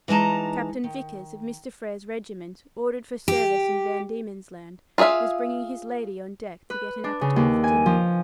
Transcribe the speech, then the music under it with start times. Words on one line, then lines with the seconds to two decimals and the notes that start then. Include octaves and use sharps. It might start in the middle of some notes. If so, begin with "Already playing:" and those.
Captain Vickers, of Mr. Frere's regiment, ordered for service in Van Diemen's Land, was bringing his lady on deck to get an appetite for dinner.
0.08 E3 G#3 D#4 A5 A#5
0.84 D#3
3.28 G4
4.98 F4 G#4 C#5 E5 F5
6.70 B4
7.04 D4
7.21 C#3
7.36 D#2
7.64 G#5
7.86 F3